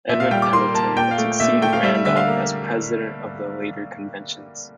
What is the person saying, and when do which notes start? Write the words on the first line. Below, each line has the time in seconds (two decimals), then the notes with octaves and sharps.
Edmund Pendleton would succeed Randolph as president of the later conventions.
0.09 A#2 E5
0.20 F5
0.31 G3 G5
0.42 D6
0.53 A#3 C6
0.74 A#3 A5
0.96 A#2 G5
1.11 F5
1.18 A3
1.40 A#2 E5
1.62 A3 G5
1.73 F5
1.83 G3 E5
1.95 E5
2.05 D3 E5
2.16 F5
2.27 A#3